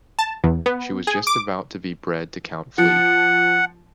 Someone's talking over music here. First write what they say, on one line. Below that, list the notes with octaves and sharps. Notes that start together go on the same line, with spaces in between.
She was just about to be bred to Count Fleet.
A5
E2
B3
G#4
D6
F3 F#5